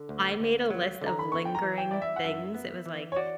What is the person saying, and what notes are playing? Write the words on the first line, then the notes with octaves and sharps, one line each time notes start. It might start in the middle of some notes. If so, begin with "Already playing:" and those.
I made a list of lingering things it was, like,
Already playing: D3
D2
D2
F#3
D3
A#5
B5
B3 C#6
G5
A#5
E3
G5
E4 D5
E5
F#5
F#2 E5
B3
E3
C#5
F#4 D5